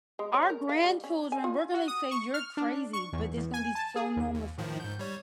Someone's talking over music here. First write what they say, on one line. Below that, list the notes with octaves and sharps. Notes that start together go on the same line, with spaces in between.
our grandchildren we're gonna say "You're crazy," but it's gonna be so normal for them.
G#3
C#5
A#4
F5
G3
C#4
G#5
F4
F#4
D#6
C#6
F6
D4
C#6
E2
E2
G#5
A5
G#4
D#2
D#2
A2 D#3 F3
G#2 G6
G3 C#5